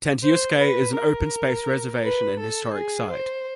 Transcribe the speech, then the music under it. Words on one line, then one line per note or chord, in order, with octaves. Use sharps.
Tantiusques is an open-space reservation and historic site.
C5
B4
A#4
B4
A4
G#4
C5